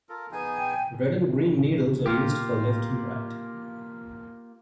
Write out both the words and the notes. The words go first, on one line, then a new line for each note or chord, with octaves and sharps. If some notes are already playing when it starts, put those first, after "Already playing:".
Red and green needles are used for left and right.
F4 A4 A#4
B3 D#4 G#4 G#5
G5
A#3 F4 G4